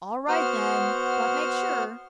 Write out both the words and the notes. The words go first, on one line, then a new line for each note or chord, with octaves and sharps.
"All right, then, but make sure."
B3 F#4 C5 F6